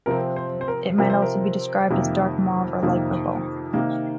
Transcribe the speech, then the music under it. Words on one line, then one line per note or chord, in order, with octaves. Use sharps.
It might also be described as dark mauve or light purple.
C3 F3 C4 A#4
C5
C5
A#4
C3 F3 C4 A#4
C5
A#4
F2 C3 D#3 A#3
F2 C3 D#3 A#3
C3 D#3 A#3